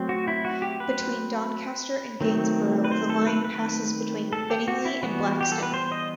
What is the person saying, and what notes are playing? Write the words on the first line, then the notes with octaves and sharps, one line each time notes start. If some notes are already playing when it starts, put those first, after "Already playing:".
Between Doncaster and Gainsborough the line passes between Finningley and Blaxton.
Already playing: F#3 A3 C4
F#4
E4
F#4
G4
B4
D#3 F#3 A3 C4
B4
C5
A4
B4
B4
A4
G4
F#4
E4
E3 G3 B3 F#4
G4
A4
B4
C5
D#5